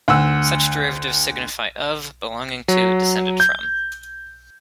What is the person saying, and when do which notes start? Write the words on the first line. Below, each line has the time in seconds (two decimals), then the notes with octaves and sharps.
Such derivatives signify "of, belonging to, descended from".
0.08 D2 F#5 E6
2.68 F#3
3.40 G6